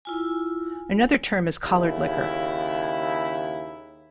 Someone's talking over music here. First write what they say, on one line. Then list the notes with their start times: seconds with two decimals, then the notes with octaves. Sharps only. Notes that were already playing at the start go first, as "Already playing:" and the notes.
Another term is collard liquor.
0.05 E4 F4 G#5
1.65 D#2 C#3 E4